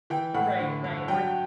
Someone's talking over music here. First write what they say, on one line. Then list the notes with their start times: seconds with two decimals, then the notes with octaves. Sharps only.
Right, right. Or, th
0.10 E3 G5
0.34 A2 F#5
0.59 D3
0.84 G2
1.08 F#3 G5